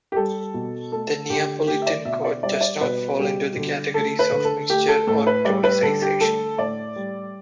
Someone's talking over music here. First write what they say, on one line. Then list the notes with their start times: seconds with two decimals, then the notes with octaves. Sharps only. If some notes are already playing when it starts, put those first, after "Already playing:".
The Neapolitan chord does not fall into the categories of mixture or tonicization.
0.12 G4
0.16 G3 A4
0.54 B2
0.92 A3 A4
1.30 D3 G4
1.67 A3 G4
1.82 E5
1.87 D5
2.05 B2 E5
2.24 D5
2.43 G3 D5
2.52 E5
2.61 D5
2.81 B2 B4
3.18 G3 G4
3.57 D3
3.94 A3 A4
4.19 B4
4.32 D3
4.44 A4
4.70 A3 G4
4.88 A4
5.07 A2 A4
5.27 B4
5.45 G3 D5
5.64 B4
5.83 D3 A4
6.02 G4
6.20 A3 A4
6.58 A2 D5
6.96 G3